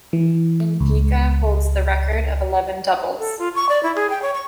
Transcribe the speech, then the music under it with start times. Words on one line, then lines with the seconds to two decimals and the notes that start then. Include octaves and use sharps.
Benfica holds the record of eleven Doubles.
0.13 E3
0.80 C#2
3.19 A4
3.39 F4
3.55 C#6
3.69 D5
3.83 E4
3.96 G#4
4.10 G5
4.22 C#5
4.34 C#6